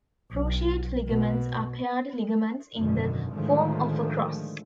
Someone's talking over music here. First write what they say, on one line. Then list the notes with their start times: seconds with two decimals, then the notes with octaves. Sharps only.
Cruciate ligaments are paired ligaments in the form of a cross.
0.32 B1
1.09 B2
2.75 G#1 F#2 B2 D3 D#3
3.32 A2 D3 D#3 F3 G#3 A3